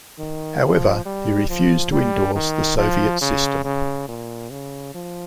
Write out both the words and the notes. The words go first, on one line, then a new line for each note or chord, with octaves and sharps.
However he refused to endorse the Soviet system.
D#3
F3
G3
F3
G3
D#3
F3
C#3
C#3
A#2
C#3
F3